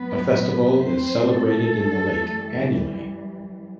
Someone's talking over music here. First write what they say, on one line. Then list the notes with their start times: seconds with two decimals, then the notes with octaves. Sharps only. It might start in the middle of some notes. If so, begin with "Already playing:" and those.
A festival is celebrated in the lake annually.
Already playing: F#2 F#3 A3 B3 B4
0.77 C4 C5
1.34 A3 A4
1.91 F#2 E3 G3